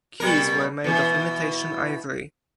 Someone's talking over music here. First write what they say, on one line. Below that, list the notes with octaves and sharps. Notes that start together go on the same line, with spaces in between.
Keys were made of imitation ivory.
B2 G3 A#4
B2 E3